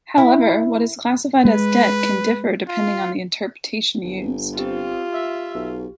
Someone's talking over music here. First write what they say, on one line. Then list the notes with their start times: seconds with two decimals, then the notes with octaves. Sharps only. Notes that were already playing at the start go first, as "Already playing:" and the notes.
However, what is classified as debt can differ depending on the interpretation used.
0.18 E4
1.45 G#3 B4
2.68 F4
4.03 G1
4.59 C4 F4 G4
5.13 E5
5.55 B1